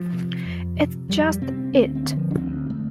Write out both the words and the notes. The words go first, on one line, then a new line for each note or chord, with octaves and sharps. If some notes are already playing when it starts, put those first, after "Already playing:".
It's just 'It'.
Already playing: F3
C3
F2
C3
F2 G3
C3 C4
D2 C4
C4
D3
F3
D4
D2 C4
D3 A3